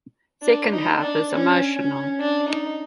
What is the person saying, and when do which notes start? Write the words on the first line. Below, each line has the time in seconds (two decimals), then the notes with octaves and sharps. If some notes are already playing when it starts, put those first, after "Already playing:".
Second half is emotional.
0.42 D4
0.72 D#4
1.01 D4
1.31 C#4
1.75 C#4
2.20 D4
2.48 D#4